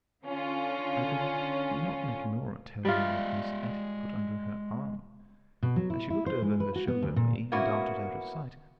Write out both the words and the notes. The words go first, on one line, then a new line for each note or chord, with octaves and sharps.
I could not make Norah tell me what Miss Etty put under her arm, as she looked over her shoulder at me, and darted out of sight.
D3 C#4 F4
G3 G#3 F4 D#5 E5
B2
F#3
E4
E4
C5
G#3
B4
F#4
B3
D2
A#2
A#3 B3 C#4 E4 F#4